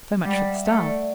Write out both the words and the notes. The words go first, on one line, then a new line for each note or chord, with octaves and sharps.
So much for the "Star".
G3 F#5
E5
A3
D5